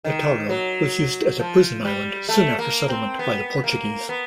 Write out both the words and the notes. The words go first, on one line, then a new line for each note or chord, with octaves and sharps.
Atauro was used as a prison island soon after settlement by the Portuguese.
D#3
F#3
F3
G3
A3
A#3
C4
B3
A#3
B3